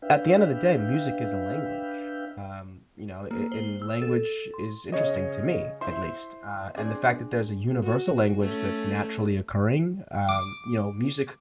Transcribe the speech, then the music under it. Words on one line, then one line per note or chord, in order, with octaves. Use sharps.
at the end of the day, music is a language, um, you know, a and language is interesting to me, at least, uh, and the fact that there's a universal language that's naturally occurring, um, you know, music
D4 B4 E5 F5 G5
A#3
C5
E6
A4
C6
C#3 C#5 D#5
E4 C5 E5 C6
C4 D4 G#4
F#4
A3 C#4
D6